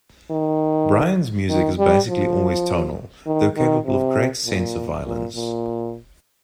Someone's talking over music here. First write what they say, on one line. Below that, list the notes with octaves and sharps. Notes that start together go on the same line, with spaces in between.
Brian's music is basically always tonal though capable of a great sense of violence.
D#3
D#3
G3
F3
D#3
D#3
C3
A#2
A#2
A#2